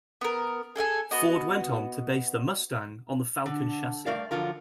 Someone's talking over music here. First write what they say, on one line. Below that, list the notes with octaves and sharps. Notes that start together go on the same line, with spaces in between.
Ford went on to base the Mustang on the Falcon chassis.
B3 A#4
G#4 A4 F5 G#5
B3 F#4 D#5
D3
G2 A3 A#4 D5 F5
D3 F3 F#3 F4 A#4